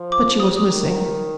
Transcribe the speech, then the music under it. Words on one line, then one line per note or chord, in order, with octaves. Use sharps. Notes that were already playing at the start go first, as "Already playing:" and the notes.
But she was missing.
Already playing: F3
D6
D#6
D#3